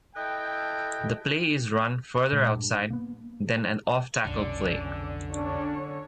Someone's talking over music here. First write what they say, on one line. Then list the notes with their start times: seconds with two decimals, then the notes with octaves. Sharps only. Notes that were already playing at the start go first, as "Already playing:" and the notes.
The play is run further outside than an off tackle play.
0.15 E4 A4 B4 D#5 G5
2.33 A#2 G#3
2.56 G2
2.90 A#3 B3
4.25 F1 B1 D3 C#4 D5
5.33 C#4 D4 C#5